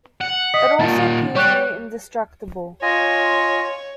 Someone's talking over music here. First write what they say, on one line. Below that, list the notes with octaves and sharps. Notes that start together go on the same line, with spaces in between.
It also appears near indestructible.
F#5
D#5 D#6 B6
A#2 D#3 F#5 A5 A6
G3 G4 C#5 C#6 F#6
F4 C#5 D#5 G#5